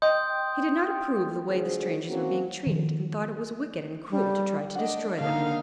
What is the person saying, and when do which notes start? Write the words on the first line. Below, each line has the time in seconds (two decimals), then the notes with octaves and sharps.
He did not approve the way the strangers were being treated and thought it was wicked and cruel to try to destroy them.
0.02 D#5 G5 C6 D#6 G6
1.50 D3 F3 A3 F#4 G#4 C5
2.09 F#3 A#3 C4 C#4 F#4
2.67 D#3 F3
4.10 G3
4.75 D4 D#5 F#5
5.20 D3 A#3 D#4 F5